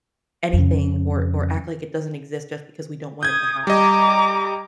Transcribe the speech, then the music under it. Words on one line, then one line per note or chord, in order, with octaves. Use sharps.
anything or or act like it doesn't exist just because we don't want it to happen.
F2 C#3
D#6 G6 G#6
G3 D#5 A#5 D6